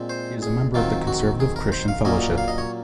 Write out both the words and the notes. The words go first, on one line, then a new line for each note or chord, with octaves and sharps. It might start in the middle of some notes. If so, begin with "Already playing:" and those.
She is a member of the Conservative Christian Fellowship.
Already playing: A#2 G#3 C4
C5
G#4
D#3 F#3 C4 F4
F#4
G#4
A#4
C5
F5
A#2 F#3 A#3 C#4 D#5
F5
D#5
C#5